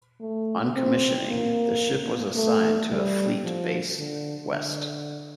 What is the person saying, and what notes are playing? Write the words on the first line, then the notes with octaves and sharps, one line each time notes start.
On commissioning, the ship was assigned to Fleet Base West.
A3
C4
A#3
A3
G3
F3
D3
D3